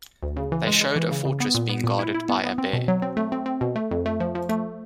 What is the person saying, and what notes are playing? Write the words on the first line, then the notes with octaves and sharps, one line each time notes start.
They showed a fortress being guarded by a bear.
D2
C#3
E3
G#3
G#3
E3
C#3
C#3
B3
A#2
B3
A#2
E4
E4
B3
B3
C4
B2
F#3
C4
A3
C4
C4
B2
A3
F2
A3
F3
F3
A3